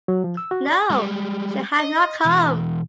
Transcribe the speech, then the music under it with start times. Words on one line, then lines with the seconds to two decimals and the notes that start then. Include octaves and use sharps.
No; she had not come!
0.08 F#3
0.24 F3
0.37 E6
0.51 F#4
0.66 D5
0.90 G3 G#3
1.80 D#5
2.25 B2 E3